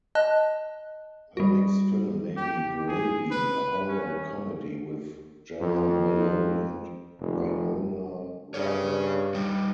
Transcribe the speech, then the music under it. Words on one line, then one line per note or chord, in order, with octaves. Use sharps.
Her next film may be "Gravy", a horror-comedy with Jena Malone and Winona Ryder.
D#5 A5 F#6
G3 F#4
G4
G#4
B4
C#4
F2
F1
G2 C#4 G#4 C#5
G3 D#4